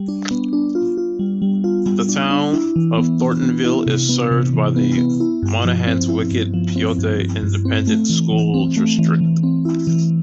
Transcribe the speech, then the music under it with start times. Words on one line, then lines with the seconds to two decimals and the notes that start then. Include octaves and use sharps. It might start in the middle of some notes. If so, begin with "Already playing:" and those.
The Town of Thorntonville is served by the Monahans-Wickett-Pyote Independent School District.
Already playing: G3
0.08 D4
0.31 B3
0.53 D4
0.75 F4
0.97 F4
1.19 G3
1.42 G3
1.64 F4
1.86 G3
2.09 D4
2.31 D4
2.53 E4
2.76 E3
2.97 B3
3.20 B3
3.42 B3
3.65 E4
3.86 C3
4.09 B3
4.31 C3
4.54 E3
4.76 B3
4.98 B3
5.20 E4
5.43 G2
5.65 F3
5.87 C4
6.09 E4
6.31 G2
6.54 F3
6.76 C4
6.98 G2
7.21 G2
7.43 G2
7.65 C4
7.87 A3
8.10 E3
8.32 E3
8.54 C4
8.76 A3
8.99 E3
9.21 E3
9.43 C4
9.65 E4
9.87 E3